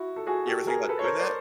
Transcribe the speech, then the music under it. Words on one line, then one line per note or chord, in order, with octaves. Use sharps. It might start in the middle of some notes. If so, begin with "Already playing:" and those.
You ever think about doing that?
Already playing: E4 F#4
A4
F#4 G#4
G4 A4
G#4 A#4
A4 B4
C#5
A#4 C5
C5 D5